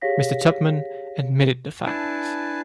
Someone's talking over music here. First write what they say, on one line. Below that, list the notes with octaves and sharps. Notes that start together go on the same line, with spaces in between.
Mr. Tupman admitted the fact.
G4 G#4 C#5 F5 A#6 B6
D4 E4 B4 G#5 A5